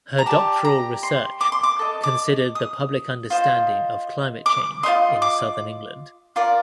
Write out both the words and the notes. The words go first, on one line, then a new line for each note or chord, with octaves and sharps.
Her doctoral research considered the public understanding of climate change in Southern England.
A#5
G4 D5 A5
A#5
C6
D6
C6
D6
A4 D#5
D6
D#6
F4 C5 D#5
D6
F4 C5 D#5 C6
D6
F4 A#4 D5